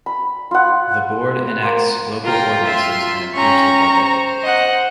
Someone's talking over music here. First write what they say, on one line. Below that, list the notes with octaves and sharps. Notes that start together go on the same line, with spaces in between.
The board enacts local ordinances and approves the budget.
B5
F4 F#5
A#3 C5
F4 A#4 G5
E5 C6
C#4 G5 A#5 C#6
C5
D#5 F#5